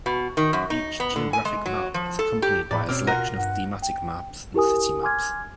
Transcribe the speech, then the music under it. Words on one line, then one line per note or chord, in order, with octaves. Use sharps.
Each geographic map is accompanied by a selection of thematic maps and city maps.
B2
D#3
F#2
D#4
B3
D3
G#5
G#3
F#3
F3
A4
G4
E2 A2 D5 B5
B2 C4 C#4 D5 F6
F4 A#4 F#5 F#6 A#6 D#7
G2 F#5
G5
E4 G4 A#4 G#5 D#6
G#5 C6 D6 F6 G#6